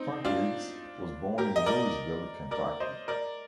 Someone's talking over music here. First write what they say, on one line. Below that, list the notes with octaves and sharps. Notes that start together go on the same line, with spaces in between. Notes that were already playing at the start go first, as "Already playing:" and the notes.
Frank Riggs was born in Louisville, Kentucky.
Already playing: C4 D#4
D4 F4
G4 A#4
D#5
A#4 D5
A#4 D5
C5 D#5
A#4 D5